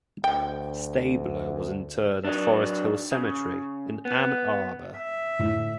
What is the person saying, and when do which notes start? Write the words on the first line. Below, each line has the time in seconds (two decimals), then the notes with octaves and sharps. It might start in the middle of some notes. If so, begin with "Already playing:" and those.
Staebler was interred at Forest Hill Cemetery in Ann Arbor.
0.24 D2 G5
2.24 F#3 D4
3.12 C#3
4.05 B3
4.97 E5
5.39 A2